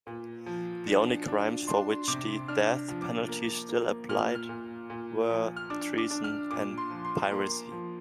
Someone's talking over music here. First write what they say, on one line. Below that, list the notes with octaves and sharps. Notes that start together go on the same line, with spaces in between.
The only crimes for which the death penalty still applied were treason and piracy.
A#2
F3
D4
D4
D4 C6
C3 D6
D4 F6
F3
D6
A#3
A#3
A#2 F6
F6
A#2
A#2
F3
F6
D4 D6
D6
D4
F6
A#2 D6
C6
F3
C6
A#3
F3